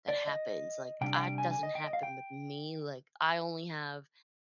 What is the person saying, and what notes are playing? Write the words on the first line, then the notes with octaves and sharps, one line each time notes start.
that happens. Like, I doesn't happen with me. Like, I only have
D5
D#5
C3 G3 D4 G5
F5
G5
G#5
G#5
D#5
G5
D#5
F5
G5